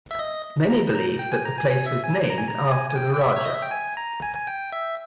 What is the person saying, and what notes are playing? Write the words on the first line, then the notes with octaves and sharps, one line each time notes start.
Many believe that the place was named after the Raja.
E5
D#5
A#5
A#5
G5
G#5
A#5
G#5
G#5
E5
G#5
A#5
G#5
A#5
G#5
G#5
G5
G5
E5
C#5
D#5
E5
G5
G#5
A#5
G#5
G#5
G5
E5